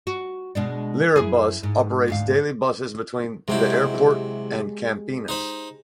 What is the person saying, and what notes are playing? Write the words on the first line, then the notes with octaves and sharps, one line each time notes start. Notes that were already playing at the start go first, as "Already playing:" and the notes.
Lirabus operates daily buses between the airport and Campinas.
F#4
B2 G#3 D4
F#2 E4 G#4
G#2
D2 G#2 F5
C3 F#3 G#3 E4 G4
D#4 C5 B5